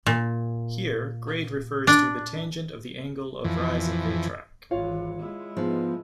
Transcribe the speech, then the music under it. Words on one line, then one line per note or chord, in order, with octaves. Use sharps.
Here grade refers to the tangent of the angle of rise of the track.
A#2
D4
F2 E3
G#1 E3 F4 C#5 F5
G#3 E4
G#2 F3 B3